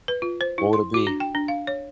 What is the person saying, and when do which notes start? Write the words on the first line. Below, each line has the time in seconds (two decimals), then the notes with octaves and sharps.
What would it be?
0.08 B4
0.22 F4
0.41 C5
0.58 E4
0.73 C6
0.94 F#4
1.07 D4
1.20 G5
1.35 D4
1.48 F5
1.67 C#5